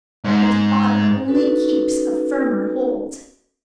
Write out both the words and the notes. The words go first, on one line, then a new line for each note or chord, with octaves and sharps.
But the otter only keeps a firmer hold.
G#2
C#4 D#4 F#4 A4 B4